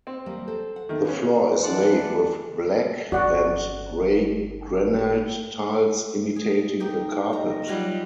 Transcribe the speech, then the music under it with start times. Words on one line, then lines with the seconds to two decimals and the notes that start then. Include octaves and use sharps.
The floor is laid with black and grey granite tiles imitating a carpet.
0.07 C4
0.26 D#2 G3 A#3
0.47 A4 C5
0.76 F#5
0.89 D#3 A4 E5
1.05 B3 C#4 F#4 F5
1.63 E3 D#4 D5 F#5 A5 C6
3.12 G1 C#4 F#4 D5 F#5
6.36 G#4
6.80 D#4 G4
7.33 D#5 A#5
7.67 F#3 G3 F4 F5 F#5 G#5